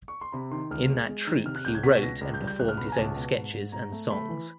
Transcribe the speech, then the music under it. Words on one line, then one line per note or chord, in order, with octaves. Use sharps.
In that troupe he wrote and performed his own sketches and songs.
C#6
C6
C3 B5
D#3 C6
C#2 F6
G#3
G#3
D#3
C3 F6
F#6
C#2 G6
G#6
B2 B6
C#2 A#6
C#2
G6
G3
G6
C#2 F#6
F6
B2 B5
A#5
G#5
C#2 A5
B2
G#2
G#2
G#2 A#5
A3
A3 B5
E3